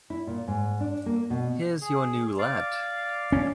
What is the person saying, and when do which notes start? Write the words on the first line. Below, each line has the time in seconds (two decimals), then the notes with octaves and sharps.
Here’s your new lad.
0.10 E4
0.27 A#2
0.47 G#2
0.80 D4
1.06 A#3
1.30 B2
1.81 G#4
2.38 D5 F5
3.32 C#4